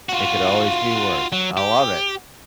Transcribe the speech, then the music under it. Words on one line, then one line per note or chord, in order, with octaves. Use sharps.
It could always be worse, I love it.
F4 F#4
F#3
G4